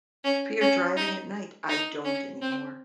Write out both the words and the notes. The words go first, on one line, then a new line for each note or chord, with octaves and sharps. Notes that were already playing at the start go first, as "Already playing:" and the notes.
Fear driving at night. I don't anymore.
C#4
C#4
D#4
D#4
C#4
C4